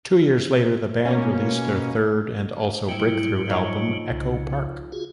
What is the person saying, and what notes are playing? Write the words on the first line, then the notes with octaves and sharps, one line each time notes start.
Two years later, the band released their third and also breakthrough album, "Echo Park".
B2 A#3 C#4
G#2 F#3 G3 E4 G5
F2 D#4 C#5
C2 C#3
F4 F#4 G#4